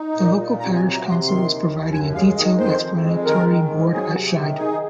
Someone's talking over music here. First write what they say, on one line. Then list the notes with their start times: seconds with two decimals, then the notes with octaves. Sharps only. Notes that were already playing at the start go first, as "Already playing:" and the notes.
The local Parish Council is providing a detailed explanatory board at Shide.
Already playing: D#4
0.16 A#2
0.37 A#2
0.60 C3 A#5
0.76 G#5
0.82 F#3
0.93 A#5
1.04 C3
1.10 C6
1.26 D#3 C6
1.49 D#2
1.70 D#2
1.92 F#2 G#5
2.15 G#3 F5
2.37 D#3 D#5
2.58 F2 C5
2.81 F2
3.03 G#3
3.25 D#3 A#4
3.48 D#3
3.70 G#2
3.92 F#3 G#4
4.14 C3
4.36 D#3
4.58 D#4 G#4